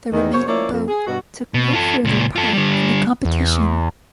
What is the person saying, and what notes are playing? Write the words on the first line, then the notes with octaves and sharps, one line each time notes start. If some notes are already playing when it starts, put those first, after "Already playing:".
The remaining boat took no further part in the competition.
E2 D#3
F#2 C#3 C5 C#5
F3 A#3 C#4 E4 C#5 D5
F2
G#4
G2 B2 F#4
B2
F4 A4
C#2 A#2
F4 A4
D3 G3
E2